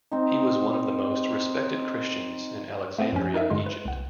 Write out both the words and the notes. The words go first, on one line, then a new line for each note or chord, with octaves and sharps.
He was one of the most respected Christians in Alexandria, Egypt.
C4 D#4
A3 B3 C4
F#2 F3 C#4
D4 D#4 A#4 D#5 E5
G2 D3 G#3 C6
B4
C2 F#5